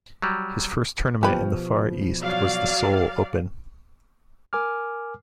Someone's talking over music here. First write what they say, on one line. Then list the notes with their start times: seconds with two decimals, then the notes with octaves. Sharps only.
His first tournament in the Far East was the Seoul Open.
0.22 F#3 G3
1.23 B2 F3 G4 B4
2.20 F#3 D5 F5
4.53 A#4 G#5 D6 F6